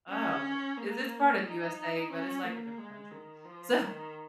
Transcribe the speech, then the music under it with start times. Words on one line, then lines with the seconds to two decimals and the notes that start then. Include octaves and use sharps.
oh, is this part of USA, but it's like a different country. So,
0.10 C#4
0.77 A#3
1.44 D#4
2.11 C#4
2.44 A#3
2.78 G#3
3.11 D#3
3.45 F3
3.78 D#3